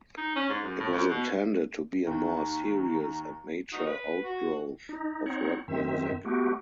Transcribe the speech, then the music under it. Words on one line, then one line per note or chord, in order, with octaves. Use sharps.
It was intended to be a more serious and mature outgrowth of rock music.
D#4
C#4
G#2
F#2
A2
F2
B2
D#2 A#5
D#4 F#4 D#5
B4
F#4
D#4
C4 D#4 C#5 F#5
F#2 D#3 C4 E5
A3 B3 F#4 G4